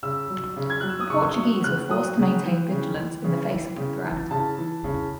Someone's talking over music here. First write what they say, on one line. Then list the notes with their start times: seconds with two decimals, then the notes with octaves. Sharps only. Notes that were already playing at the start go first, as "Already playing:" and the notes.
The Portuguese were forced to maintain vigilance in the face of the threat.
0.03 C#3 E6
0.30 F#3
0.57 C#3
0.70 G#6
0.81 F#3 F#6
0.90 E6
1.00 D#6
1.10 C#3 C#6
1.36 F#3
1.64 C#3 F#6
1.90 F#3 D#6
2.17 C#3
2.43 E3
2.71 C#3
2.97 E3
3.24 C#3
3.51 E3
3.77 C#3
4.04 E3
4.31 C#3 A5
4.58 E3
4.84 C#3